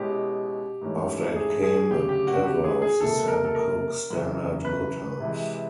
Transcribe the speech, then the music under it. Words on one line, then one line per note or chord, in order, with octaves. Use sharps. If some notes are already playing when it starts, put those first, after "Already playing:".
After it came a cover of the Sam Cooke standard "Good Times".
Already playing: B2 G#3 C#4 E4 G4
G#2 E3 A3 C#4
G#4
G#4
D2 C#3 F#3 G4
G4
F#4
G4
G#4
G#4
C#2 C3 F3 A#3 A4
A#4
A4
A#4
F#2 C#3 E3
B4
C3 E3 G#3